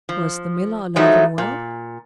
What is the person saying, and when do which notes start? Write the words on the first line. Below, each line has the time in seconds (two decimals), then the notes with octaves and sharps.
Was the miller alive and well?
0.09 F3
0.96 F3 F#3 G#3 A3 D#4 E4
1.38 A#2